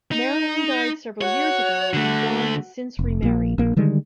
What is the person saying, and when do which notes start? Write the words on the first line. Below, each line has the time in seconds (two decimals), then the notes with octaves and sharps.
Marilyn died several years ago and Don has since remarried.
0.11 D#4
1.21 F#4 C#5 F#5
1.93 D3 A3
2.99 F1
3.22 A#1 A#3
3.58 A#1 A#3
3.77 D3 D#3 G3 G#3